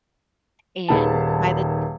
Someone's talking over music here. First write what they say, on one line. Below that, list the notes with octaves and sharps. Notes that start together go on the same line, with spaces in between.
and by the
D#1 D#3 G#4 B4 A5